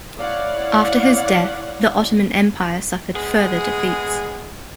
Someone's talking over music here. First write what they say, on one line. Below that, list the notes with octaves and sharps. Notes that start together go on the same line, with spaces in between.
After his death, the Ottoman Empire suffered further defeats.
E4 C#5 D5 F5 F#5
G#3 B3 G#4